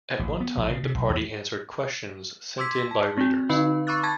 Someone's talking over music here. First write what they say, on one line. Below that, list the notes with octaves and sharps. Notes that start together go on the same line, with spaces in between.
At one time, the party answered questions sent in by readers.
A1
B3
A#1
C#3
C3
B1
E2
C6 D6 E6 G#6 B6
A5
C4 F#4
D3 D#4 B4 F5 B5
B5 C#6 D6 E6 F#6 A6
A5 B5 C#6 G#6 A6